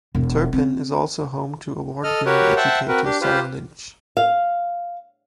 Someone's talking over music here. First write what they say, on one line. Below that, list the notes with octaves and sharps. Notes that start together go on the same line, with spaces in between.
Turpin is also home to award winning educator Sarah Lynch.
E1
C4
A4 D#5 F6
F#4 G4 A#4 B4 C#5
C5 E5 F#5 G5 A5
C4 F#4 A#4 B4
D4 G4
F4 G4 B4 C5
F5